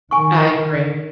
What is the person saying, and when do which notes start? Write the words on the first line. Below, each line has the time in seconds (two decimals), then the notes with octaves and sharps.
I agree.
0.11 D#3 G#5 C#6